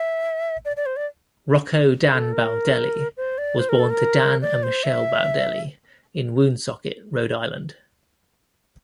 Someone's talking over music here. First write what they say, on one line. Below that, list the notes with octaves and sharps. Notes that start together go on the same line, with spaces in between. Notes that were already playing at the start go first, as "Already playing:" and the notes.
Rocco Dan Baldelli was born to Dan and Michele Baldelli in Woonsocket, Rhode Island.
Already playing: E5
D5
D5
C5
D5
A4
A#4
C5
D5
C5
A#4
A4
A#4
D5
C5
E5